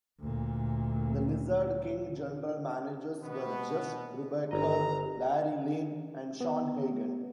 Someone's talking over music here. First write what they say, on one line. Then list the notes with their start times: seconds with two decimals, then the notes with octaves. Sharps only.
The Lizard King General managers were Jeff Brubaker, Larry Lane, and Shawn Hegan.
0.20 D2 A#2
3.22 B2 B3
4.51 G1 D#5 A#5
6.41 B3